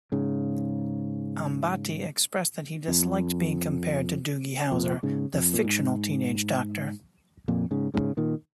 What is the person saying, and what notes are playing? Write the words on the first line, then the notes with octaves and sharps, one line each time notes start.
Ambati expressed that he disliked being compared to Doogie Howser, the fictional teenage doctor.
G#2 C#3
F2
F2 A#2
G#2 C#3
F2
A#2
G#2
F2 A#2
G#2 C#3
G#2 C#3
A#2 D#3